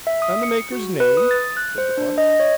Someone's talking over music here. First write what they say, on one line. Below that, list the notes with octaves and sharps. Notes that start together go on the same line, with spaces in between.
"And the maker's name?" said Defarge.
E5
D#6
C#7
F#4
B4
D#6
A6
F#6
C5
D4
D#5
C#5